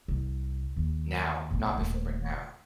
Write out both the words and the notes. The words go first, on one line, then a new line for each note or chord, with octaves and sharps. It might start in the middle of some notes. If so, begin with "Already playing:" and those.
Now. Not before, but now.
C2
D#2
B1 A2
D#1 A3